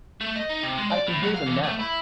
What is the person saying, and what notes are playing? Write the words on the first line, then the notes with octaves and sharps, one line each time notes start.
I can hear them now.
A3
D#5
D#4
C3
G#3
D5
A2
F#3
F5
E3
A3
E4